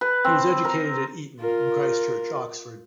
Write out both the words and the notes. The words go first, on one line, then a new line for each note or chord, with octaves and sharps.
He was educated at Eton and Christ Church, Oxford.
B4
C4
A#4
F4 A#4